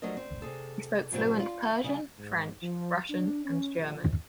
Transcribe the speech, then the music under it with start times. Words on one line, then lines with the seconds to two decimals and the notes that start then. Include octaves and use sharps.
He spoke fluent Persian, French, Russian, and German.
0.02 F3 F#3 A3 D4 A#4 D#5
0.17 C4
0.42 C3 G#4 A4
1.12 G2 A#2 C#3 F#3 C4 G4
1.39 F4
1.84 C#3 G3 D#4
2.19 G#2
2.62 F3
3.10 D4
3.45 C#4
3.80 A#1